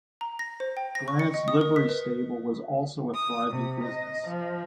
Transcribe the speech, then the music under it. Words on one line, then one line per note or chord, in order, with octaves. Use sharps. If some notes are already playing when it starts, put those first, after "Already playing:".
Grant's Livery Stable was also a thriving business.
A#5
A#6
C5
G5
A#6
C#6
C#7
D#5
D#6
A#4
B6
B4
D#6
C3
D#5
F3